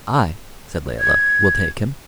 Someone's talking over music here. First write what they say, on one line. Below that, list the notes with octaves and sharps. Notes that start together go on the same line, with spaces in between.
"I," said Layelah, "will take him."
G#6